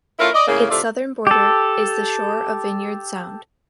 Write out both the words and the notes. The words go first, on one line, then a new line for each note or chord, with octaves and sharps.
Its southern border is the shore of Vineyard Sound.
A3 C#4 E4 F4 A#4
D5 D#5
A2 C#3 A#3
A2 C3 A3 F4 D5 E5
G4 A4